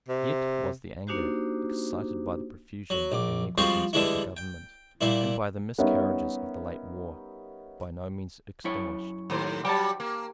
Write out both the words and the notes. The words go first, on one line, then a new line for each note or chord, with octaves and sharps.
Yet was the anger excited by the profusion and negligence of the government, and by the miscarriages of the late war, by no means extinguished.
C3
A#3 D4 D#4 F#4 G4 C5
F#3
A#1 D6
F3 G3 G#3 C4 F4 F#4
D3 E3 G3 G#3 D4 E4
G5
A#2 G3 E4
G3 B3 C#4 D#4 A#4 E5
F#2 E4 C#5
D#2 A2 C5
F#3 G3 G5 A5
A#3